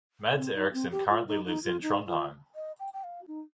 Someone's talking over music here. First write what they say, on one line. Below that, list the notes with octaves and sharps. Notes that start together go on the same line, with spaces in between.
Mads Eriksen currently lives in Trondheim.
C4
D#4
C4
G4
F4
D#4
D#4
F4
D#4
F4
D#5
G5
G5
F5
D#4